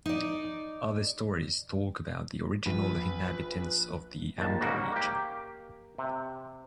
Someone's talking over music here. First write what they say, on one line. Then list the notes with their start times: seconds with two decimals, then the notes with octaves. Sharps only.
Other stories talk about the original inhabitants of the Amdo region.
0.06 D#4 D5
2.66 A#1 B4
4.38 A#1 D#2 A5
4.61 G#2 C#3 G3 A#3 F#4
4.92 A#3 G4
5.98 C3